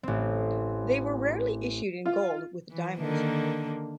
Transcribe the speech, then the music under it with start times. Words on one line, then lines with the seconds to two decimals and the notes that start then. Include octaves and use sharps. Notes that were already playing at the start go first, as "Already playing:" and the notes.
They were rarely issued in Gold with Diamonds.
0.03 A1 C4
2.06 F4
2.71 E3
3.00 D3 D#3 A#3